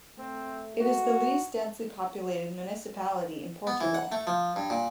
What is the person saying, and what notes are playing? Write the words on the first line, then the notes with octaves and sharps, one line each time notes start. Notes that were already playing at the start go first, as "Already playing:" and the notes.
It is the least densely populated municipality in Portugal.
A3 C4
F#4
B3
E3
F#5
A3
F3
G2
A#2